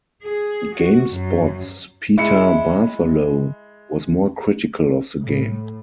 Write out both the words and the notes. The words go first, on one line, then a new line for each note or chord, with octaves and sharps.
GameSpot's Peter Bartholow was more critical of the game.
G#4
F#4
F#2
G#3 E4 C#7
A2